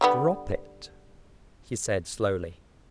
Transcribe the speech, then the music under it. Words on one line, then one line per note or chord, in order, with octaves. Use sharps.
"Drop it?" he said slowly ...
D3 G3 B3